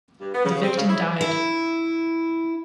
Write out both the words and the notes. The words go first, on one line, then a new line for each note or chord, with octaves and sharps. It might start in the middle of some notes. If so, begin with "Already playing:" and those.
The victim died.
G2
B3
C#3
C4
C#3
E4
E4